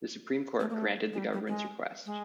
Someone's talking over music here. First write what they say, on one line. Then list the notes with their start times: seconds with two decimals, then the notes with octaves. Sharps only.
The Supreme Court granted the government's request.
0.60 A3
0.70 A#3
0.74 A3
1.13 G#3
1.18 G3
1.33 G3
1.48 G#3
2.06 G#3